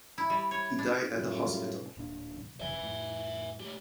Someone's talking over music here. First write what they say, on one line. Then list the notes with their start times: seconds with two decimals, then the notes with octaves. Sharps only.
He died at the hospital.
0.18 E4
0.30 G3
0.51 C#5
0.79 D4
1.10 F#2 A2 G3 F4
1.97 D1 A#2 D4
2.61 F#1 F2 C3 E5 G#5
2.81 F2 A2
3.60 A3 G4